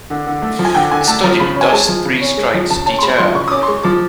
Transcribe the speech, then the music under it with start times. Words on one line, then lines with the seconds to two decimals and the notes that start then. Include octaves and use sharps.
A study, Does Three Strikes Deter?
0.10 D3
0.27 D3
0.42 A3
0.59 F3
0.65 G#5
0.74 D3 G5
0.91 D3 G#5
1.08 A3 A5
1.24 F3 A#5
1.40 C#3 B5
1.56 C#4 G#5
1.73 G#3 A5
1.88 F3
2.05 C#3
2.21 C#4
2.37 G#3
2.54 F3
2.70 C#3 A5
2.86 C#4 A5
2.99 C6
3.03 G#3 B5
3.18 F3 C6
3.35 C#3 C#6
3.48 D#6
3.51 C#4 D6
3.63 C6
3.67 G#3 C#6
3.83 F3 D6